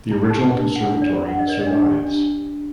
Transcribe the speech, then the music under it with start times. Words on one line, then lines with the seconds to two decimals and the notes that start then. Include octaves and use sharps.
The original conservatory survives.
0.11 D#4 A#5
0.30 G4 A5
0.50 D4 A#5
0.69 A#4
0.76 F#5
0.89 D4
1.02 D5
1.08 G4
1.28 D4 F#5
1.39 D#5
1.47 A#4 D5
1.61 D#5
1.67 D4
1.85 G4
2.06 D4